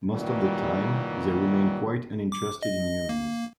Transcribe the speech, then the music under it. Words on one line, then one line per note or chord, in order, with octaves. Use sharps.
Most of the time they remain quite uninterested in humans.
A#2 D#3 E3 F#3 G3
D6
D#5
A#3